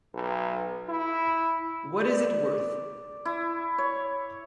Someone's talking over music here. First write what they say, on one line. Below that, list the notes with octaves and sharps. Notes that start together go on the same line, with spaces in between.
What Is It Worth?
B1
E4
D5
E4
C#5